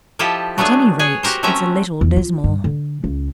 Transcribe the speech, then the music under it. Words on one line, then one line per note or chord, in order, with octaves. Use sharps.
At any rate it's a little dismal.
F3 E4 F4 G4 A4 D#5
F#3 A3 B3 D4 G#4
G#4 C#5 F#5 G#5
F#4 G4 A#4 C5
F#3 A3 C4 C#4 E5 A#5
E2
F4
G2
D3
C#2